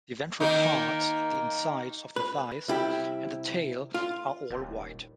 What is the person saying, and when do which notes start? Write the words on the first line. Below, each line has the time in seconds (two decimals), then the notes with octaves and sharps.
The ventral parts, the insides of the thighs and the tail are all white.
0.40 D#3 A#3 D#4
2.16 B4
2.68 C2 E4 G4
3.94 F4
4.50 D#1